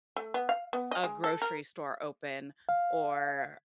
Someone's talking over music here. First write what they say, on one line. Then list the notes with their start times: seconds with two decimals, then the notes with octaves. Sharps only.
a grocery store open or
0.16 A3
0.34 B3
0.49 F5
0.73 B3
0.91 D#5
1.04 G#3
1.24 A4
1.42 A#4
2.69 F5